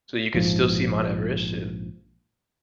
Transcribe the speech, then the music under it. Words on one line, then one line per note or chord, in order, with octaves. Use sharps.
so, you could still see Mount Everest, yeah.
A#1 G#2 F3